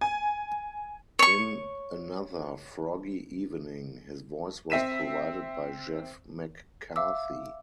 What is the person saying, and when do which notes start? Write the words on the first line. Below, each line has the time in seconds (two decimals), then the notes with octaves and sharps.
In "Another Froggy Evening", his voice was provided by Jeff McCarthy.
0.01 G#5
1.19 C#5 C#6
4.70 C4 E5 B6 D#7 E7
6.96 E5 F5 D6 E6